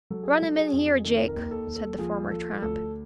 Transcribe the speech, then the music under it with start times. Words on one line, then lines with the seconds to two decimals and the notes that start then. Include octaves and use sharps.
"Run him in here, Jake," said the former tramp.
0.10 F#3 A4
0.23 G#4
0.37 F#3 A4
0.57 G#4
0.73 F2
1.04 D#3 A4
1.28 A#4
1.36 D#2
1.41 A#4
1.51 A4
1.67 D#2
1.75 A4
1.99 F3 G#4
2.30 F3 A4
2.62 D2 A4